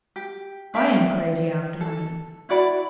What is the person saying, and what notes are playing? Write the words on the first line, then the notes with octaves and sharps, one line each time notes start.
I am crazy after money.
G4
D4 E5 F5 G5
A4
E4 F#4 D5 B5